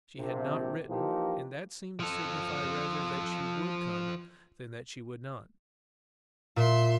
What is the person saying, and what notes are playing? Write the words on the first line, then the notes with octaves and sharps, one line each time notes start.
She had not written, and that seemed to signify rather that she would come than that she would not.
A#1 C3
E3 F3 A#3 D#4 G4
F3 A4
A#2 E5 C6